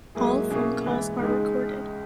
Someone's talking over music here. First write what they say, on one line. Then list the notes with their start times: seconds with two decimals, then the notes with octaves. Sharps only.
All phone calls are recorded.
0.15 G#2 F#3 A#3 E4 G#4
0.50 B2 A#3 C#4 E4 G#4
0.85 G#2 E3 B3 E4
1.19 C#2 C#3 G#3 D#4 G#4